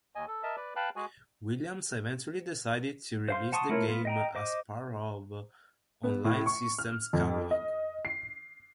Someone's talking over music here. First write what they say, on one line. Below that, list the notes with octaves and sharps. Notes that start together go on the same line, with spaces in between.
Williams eventually decided to release the game as part of On-Line Systems' catalog.
D#2 D#5 G#5
A4
A#4 D#5 E5 A5
B4 D5
B4 F5 G5 A5 B5 F#6
G#3 F#4 G#4 G#5
C5 F5 C6
F#5 A5 C6 C#6 D#6
A3 E4 F4 A#4 C#5
B3 F4
D#5 G5 A#5
C5 D#5 D6
B3
A2
C#6
F6
F2
D#5
C7